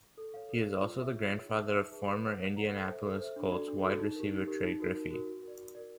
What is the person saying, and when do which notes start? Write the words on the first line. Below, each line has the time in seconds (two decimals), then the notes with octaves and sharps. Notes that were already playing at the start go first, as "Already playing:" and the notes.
He is also the grandfather of former Indianapolis Colts wide receiver Trey Griffey.
0.18 A4
0.34 C#5 F5
0.49 A4
0.64 C#5 F5
0.81 F4
0.97 G#4 C#5 E5
1.13 F4
1.29 G#4 C#5 E5
1.44 D#4
1.60 G#4 B4 E5 A5
1.76 D#4
1.92 G#4 B4 E5 A5
2.09 B4
2.25 D5 F#5 A#5
2.40 B4
2.56 D5 F#5 A#5
2.73 A4
2.87 C5 E5
3.04 A4
3.20 C5 E5
3.36 D4
3.51 F#4 A4 D5
3.68 D4
3.84 F#4 A4 D5
4.00 D#4
4.15 G4 A#4
4.31 D#4
4.48 G4 A#4
4.64 D#4
4.79 F#4 A#4
4.95 D#4
5.11 F#4 A#4
5.27 F#4
5.43 A#4 D5
5.58 F#4
5.75 A#4 D5